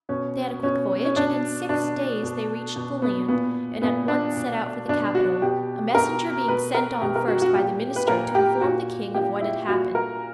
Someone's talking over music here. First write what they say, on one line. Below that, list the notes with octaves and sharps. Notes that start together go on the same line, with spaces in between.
They had a quick voyage, and in six days they reached the land, and at once set out for the capital, a messenger being sent on first by the minister to inform the king of what had happened.
B2 C#4
B2 C#4
C#4
B2 D4
B2 D4
B2
B2
B3
A#2 B3
A#2 B3
D4
B2
B2 D4
F#4
B2 G4
B2 A#4
B2 B4
A#4
B2 G4
A#4
F#4
F#4
A#2 G4
B4
A#2 A#4
G4
A#2 F#4
A#2 G4
E4
A#2 F#4
A#4